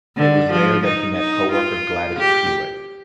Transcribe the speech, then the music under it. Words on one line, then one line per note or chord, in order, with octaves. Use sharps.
It was there that he met co-worker Gladys Prewett.
D3
F3
D#4
D#4
F4
G4